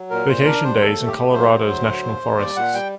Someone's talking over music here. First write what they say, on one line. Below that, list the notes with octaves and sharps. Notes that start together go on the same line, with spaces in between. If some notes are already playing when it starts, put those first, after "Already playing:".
Vacation days in Colorado's national forests.
Already playing: F#3
A#2 A#4
A#2 C5
D4 A#4
G3 C5
D#2 A4
A3
G4
A3
F#3 C5
F#3
D2
F#3
D#2
D#2
G3 D5
A#2 F#5
G3 G5